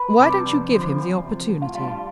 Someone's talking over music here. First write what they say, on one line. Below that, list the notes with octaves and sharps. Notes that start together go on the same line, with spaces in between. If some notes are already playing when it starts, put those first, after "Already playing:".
"Why don't you give him the opportunity?"
Already playing: B4
C3 G3 D4
F2
D3 F3 C4
E2
C3 F3
A2
F4
G3 D4 F4
F4